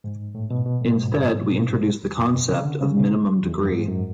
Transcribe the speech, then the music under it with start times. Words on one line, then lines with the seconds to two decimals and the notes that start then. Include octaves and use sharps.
Instead, we introduce the concept of minimum degree.
0.04 G#2
0.35 A2
0.50 B2
0.66 B2
0.81 A2
0.96 G#2
1.12 F#2
1.27 G#2
1.42 B2
1.58 A2
1.73 G#2
2.03 E2
2.19 F#2
2.34 B2
2.50 C#3
2.65 D3
2.81 C#3
2.96 B2
3.43 E2
3.58 F#2
3.72 G#2
3.88 F#2